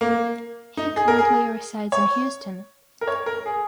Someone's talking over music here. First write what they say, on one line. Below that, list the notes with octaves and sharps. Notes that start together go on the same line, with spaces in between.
He currently resides in Houston.
A#3
D#4
G#4
A#4
G#4
C#5
A#4
C#5
A#4
G#4